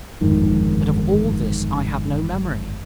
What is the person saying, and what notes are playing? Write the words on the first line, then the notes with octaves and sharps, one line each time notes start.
But of all this I have no memory.
G1 F2 G#2 D#3